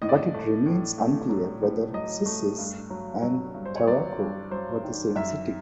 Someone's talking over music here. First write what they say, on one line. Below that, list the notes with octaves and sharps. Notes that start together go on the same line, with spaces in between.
But it remains unclear whether "Cissis" and "Tarraco" were the same city.
A2 D#5
D5
D#5
A3
A2
A3
F#3
A2
F#3 D#5
A3
G2
F#3
F#3
G2
C5
C#5
F#3 D5
G2
F#3 C5
D#3
F#2 E5